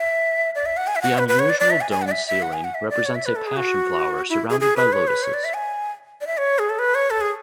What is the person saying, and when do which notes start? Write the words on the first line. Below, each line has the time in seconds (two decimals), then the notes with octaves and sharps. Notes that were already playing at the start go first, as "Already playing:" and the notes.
The unusual domed ceiling represents a passion flower surrounded by lotuses.
Already playing: E5
0.55 D5
0.66 E5
0.77 F#5
0.87 G#5
0.96 E5
1.02 F#5
1.18 B4
1.28 B4
1.39 C#5
1.50 D5
1.60 D5
1.70 E5
1.81 G#5
1.91 G#5
2.02 F#5
2.07 D5
2.11 E5
2.27 E5
2.42 F#5
2.53 G#5
2.64 F#5
2.74 E5
2.90 D5
3.06 C#5
3.15 E5
3.25 B4
3.36 A4
3.47 G#4
3.56 F#4
4.30 E4
4.50 G#4
4.60 G#4
4.76 B4
4.93 C#5
5.08 B4
5.23 C#5
5.34 D5
5.44 E5
5.55 G#5
6.21 D5
6.27 E5
6.37 C#5
6.59 G#4
6.69 A4
6.79 B4
6.95 C#5
7.10 A4
7.21 G#4